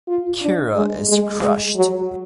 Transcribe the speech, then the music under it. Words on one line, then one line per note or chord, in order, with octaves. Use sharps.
Kira is crushed.
F4
D4
G#3
G#3
G#3
F#3